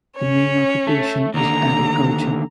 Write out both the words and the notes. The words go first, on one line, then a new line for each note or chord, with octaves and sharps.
The main occupation is agriculture.
C#4 C#5
A3
D#2 D3 A#5